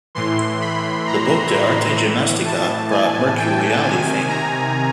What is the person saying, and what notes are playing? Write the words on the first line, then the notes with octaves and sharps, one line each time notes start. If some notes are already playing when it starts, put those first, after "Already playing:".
The book "De Arte Gymnastica" brought Mercuriale fame.
A2 E3 C6
B5
A#5
A2 E3
A5
G#5
G5
C3 D#3 G#5
A#5